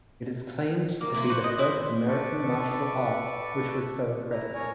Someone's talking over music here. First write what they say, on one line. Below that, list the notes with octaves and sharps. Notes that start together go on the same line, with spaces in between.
It is claimed to be the first American martial art which was so accredited.
A#3
A#3 E4 F4
F#4 B4 C5
D#5
E4 B4 C5
A4 B4 D5 C#6
E4 A#5
A#4 C#5 G#5